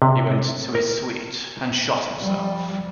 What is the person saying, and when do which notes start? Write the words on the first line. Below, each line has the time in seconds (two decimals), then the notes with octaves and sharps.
He went to his suite and shot himself.
0.02 C3
0.75 A#4
2.17 F3 G3